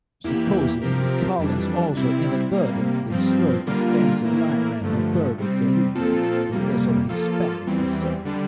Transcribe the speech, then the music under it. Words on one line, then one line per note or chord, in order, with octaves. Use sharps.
Supposedly, Collins also inadvertently slurred offensive lineman Norberto Garrido, who is of Hispanic descent.
E2 E3 A#3 E4 G4
C3 F3 C4 G4 A#4
F2 E3 G3 D4
C3 G3 C4 E4
C3 G3 A#3
G2 F3 C4
D3 G3 A#3 F4 A#4
A2 E3 A#3 E4 A#4
G2 D3 F3 A3
C3 G3 C4
A#2 F3 C4 F4 A4
F2 C3 G3 A#3
F3 A#3 F4 A4
E2 E3 G3 C4
D3 G3 D4